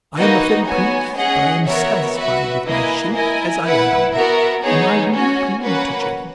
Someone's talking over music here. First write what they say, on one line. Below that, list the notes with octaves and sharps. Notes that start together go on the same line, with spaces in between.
I am a fairy prince, but I am satisfied with my shape as I am; and I do not want to change.
A#3 D#4 F#4 B4 D#5
B3 F#4 C#5 G#5
C#4 G#4 D#5 F#5
B3 F#4 A#4 C#5 E5
F#4 B4 E5
A#3 E4 B4 D#5 G#5
E4 A#4 D#5 G#5
E4 B4 F#5
B3 F#4 A#4 E5
B3 D#4 G#4 C#5
C#4 F#4 C#5 G#5
A#3 C#4 F#4 B4 F#5